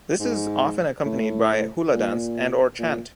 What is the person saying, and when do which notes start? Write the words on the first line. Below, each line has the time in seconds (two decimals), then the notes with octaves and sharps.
This is often accompanied by hula dance and or chant.
0.20 G#2
1.06 A2
1.93 A#2
2.79 A#2